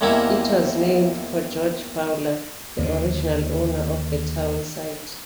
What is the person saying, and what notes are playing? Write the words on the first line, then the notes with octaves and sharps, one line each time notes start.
It was named for George Fowler, the original owner of the town site.
E2 C3 D#3 A#3 C#4 E4
D#2 D3